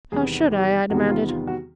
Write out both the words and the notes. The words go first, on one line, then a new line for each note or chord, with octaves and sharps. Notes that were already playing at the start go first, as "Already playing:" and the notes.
"How should I?" I demanded.
E2 C3 D#3 G3 B3 G#4
G4
E2 C3 D#3 G3 B3 F#4
F4
F4
F#4